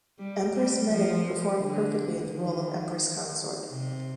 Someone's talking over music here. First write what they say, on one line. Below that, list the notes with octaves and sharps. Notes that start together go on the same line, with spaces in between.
Empress Menen performed perfectly in the role of Empress-consort.
G3
G3
F3
D3
D#3
C3